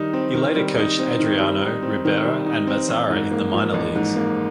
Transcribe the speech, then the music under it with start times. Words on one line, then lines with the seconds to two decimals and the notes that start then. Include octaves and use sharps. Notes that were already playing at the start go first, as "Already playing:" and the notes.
He later coached Adriano, Ribera and Mazara in the minor leagues.
Already playing: D#3 G3 D#4
0.13 C4
0.34 D#3
0.56 G3
0.78 D#4
0.99 C4
1.19 D#3
1.40 G3
1.62 D#4
1.82 C4
2.05 D#3
2.25 G3
2.46 D#4
2.67 C4
2.88 A1
3.10 G#2
3.31 A#3
3.53 F3
3.74 A1
3.95 G#2
4.16 A#3